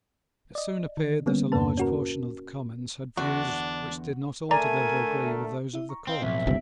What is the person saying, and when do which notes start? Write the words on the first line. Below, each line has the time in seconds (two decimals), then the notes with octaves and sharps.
It soon appeared that a large portion of the Commons had views which did not altogether agree with those of the Court.
0.55 D5 D#5
0.97 D#3
1.26 D3 G3 A#3 B3 C#4
1.52 E2 G2 C3 A#3 B4 A5
1.77 C#4 F#4 A#4
3.17 E2 D3 D4 F#4
4.51 D3 A3 A#4 D5 G#5 A#5
5.74 E4 E5
5.89 A#5 C#6
6.07 C4 D#5 F5 G5
6.22 B1 A2 F3 C4 E5
6.47 G1 C#2 C3 B3 D#4